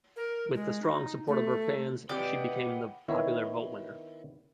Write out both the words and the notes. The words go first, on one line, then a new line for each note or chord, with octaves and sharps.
With the strong support of her fans, she became the popular vote winner.
A#4
G#3
D#4
A3
C3 G#3 G4 B4 D5 D#5 F#5 G5
D#3 B3 E4 C#5